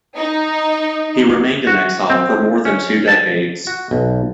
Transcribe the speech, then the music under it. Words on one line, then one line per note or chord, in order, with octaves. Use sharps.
He remained in exile for more than two decades.
D#4
F#4
C4
C#4
A5
F#4
B1